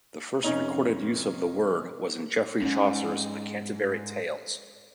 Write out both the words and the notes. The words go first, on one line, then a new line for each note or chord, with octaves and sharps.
The first recorded use of the word was in Geoffrey Chaucer's "The Canterbury Tales".
F1 C#4 D#4 F7
F2 G#2 C#4 D#4